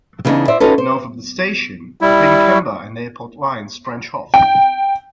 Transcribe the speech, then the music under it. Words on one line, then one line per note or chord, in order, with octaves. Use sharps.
North of the station, the Pinkenba and Airport lines branch off.
C#3 E3 G#3 B3 D4 D#4
C5 D5 E5
C#4 D#4 F4 F#4 A4 B4
C5
G3 E4
G5